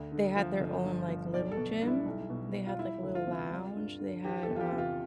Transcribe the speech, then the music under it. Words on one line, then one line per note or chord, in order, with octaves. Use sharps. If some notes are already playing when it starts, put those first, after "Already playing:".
they had their own, like, little gym. They had, like, a little lounge. They had, um,
Already playing: D2
D3
F3
G1
G2
F3
B1 D5
A4
B2
G3 D4
E4
B1
B2
G3
F4
G3 E4
D2
F4
C3
G3
G2
D3
E3 G4
E2 A4
F4
G4
C3
F4